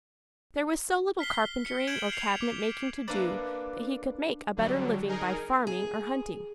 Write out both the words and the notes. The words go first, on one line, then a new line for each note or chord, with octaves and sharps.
There was so little carpentering or cabinet making to do that he could make a better living by farming or hunting.
F6 B6 C7 G7
C#7
G6 G#6 D7 E7 F#7 G7
C7 F7
D6
A#3 D4 A4 B4 D5
D3 F#3 G3
D#4 G#4 A#4
G#4